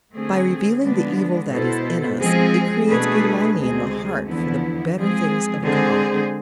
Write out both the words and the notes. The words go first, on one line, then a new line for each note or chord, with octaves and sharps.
By revealing the evil that is in us it creates a longing in the heart for the better things of God.
D3 A3 C4 G#4
D3 F3 G#3 B3 D4
B2 B3 E4 A4 C5
F3 G#3 C4 G#4
B2 A3 D4 G#4 B4
D2 C3 G#3 C4 G#4
E2 D3 F3 B3 E4
F3 G#3 C4 G#4
D3 G#3 C4 G#4 C5